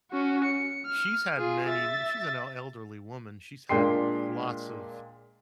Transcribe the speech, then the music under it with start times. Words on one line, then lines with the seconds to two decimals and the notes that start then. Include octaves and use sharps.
she's had many mi she's an el elderly woman. She's had lots of,
0.12 C#4 F#4
0.45 C#7
0.86 F6
1.38 F4 G#4
1.68 E5 A6
3.69 A#2 G#3 D4 G5 C6 C7